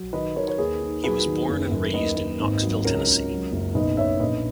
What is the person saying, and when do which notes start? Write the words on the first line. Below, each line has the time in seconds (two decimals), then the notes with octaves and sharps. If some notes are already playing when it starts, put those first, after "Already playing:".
He was born and raised in Knoxville, Tennessee.
Already playing: F#3
0.13 D#3 B4 D#5
0.36 D#3 A#4 C#5
0.48 C#5
0.58 D#2 G#4 B4
0.81 D#3
1.04 F#3 G#4 B4
1.26 D#3
1.49 F#1
1.71 F#2
1.94 D#2 B4 D#5
2.17 D#2
2.40 G#1
2.62 F#3
2.85 C#2 A#4 C#5
3.08 C#2
3.30 F#3
3.52 F#1
3.75 B1 B4 D#5
3.97 B1 C#5 E5
4.20 A#1 B4 D#5